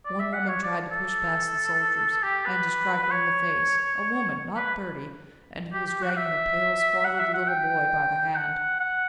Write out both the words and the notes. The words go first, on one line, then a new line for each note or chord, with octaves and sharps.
One woman tried to push past the soldiers, and to strike her in the face--a woman! not thirty!--and who was dragging a pale, squalid little boy by the hand.
D5
E5
F#5
C#5
D5
A4
G4
B4
B4
C#5
B4
G4
G4
F#4
F#5
E5
F#5
E5
F#5
G5
F#5
F#5